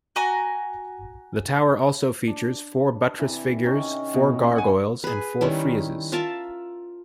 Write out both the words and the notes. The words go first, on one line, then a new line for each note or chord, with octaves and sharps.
The tower also features four buttress figures, four gargoyles and four friezes.
F#4 G#5 A#5
D4
C3 E3
C3 D#3 C#4
B2
F#5 G#5
G#4 B4
D#3 G3 C#4 E4
F4 A#4 E5 A5